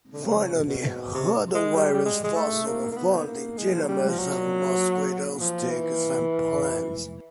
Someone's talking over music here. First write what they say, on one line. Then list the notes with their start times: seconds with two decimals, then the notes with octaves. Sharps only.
Finally, rhabdovirus "fossils" were found in the genomes of mosquitoes, ticks, and plants.
0.13 D3
0.23 C#3
0.53 B2
0.68 B2
1.14 C3
1.54 G#3
1.75 G3
1.94 G3
2.05 G#3
2.24 G#3
2.36 A3
2.66 A#3
2.92 A#3
2.97 B3
3.27 A#3
3.58 G#3
3.73 F3
3.81 F#3
3.88 G3
4.09 F3
4.18 F#3
5.41 F3
5.70 E3